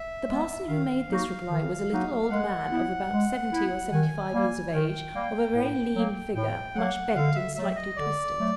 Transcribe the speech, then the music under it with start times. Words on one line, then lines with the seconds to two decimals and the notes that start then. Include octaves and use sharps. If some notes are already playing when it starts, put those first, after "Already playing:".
The parson who made this reply was a little old man, of about seventy or seventy-five years of age, of a very lean figure, much bent and slightly twisted.
Already playing: E5
0.27 G#3 B3
0.68 D#3 F5
1.09 F#3 A#3 D#4 F#4
1.49 D#3
1.89 F#3 A#3 D#4 F#4
2.30 G#3 F#5
2.70 B3 E4
3.11 G#3
3.51 B3 E4
3.92 D#3 G#5
4.32 G3 A#3
4.72 D#3 G5
5.13 G3 A#3
5.54 A2
5.94 F#3 A#3
6.34 A2 G5
6.75 F#3 A#3 F#5
7.15 D3 F5
7.35 E5
7.55 F#3 A3 E5
7.76 D#5
7.96 D3 D5
8.37 F#3 A3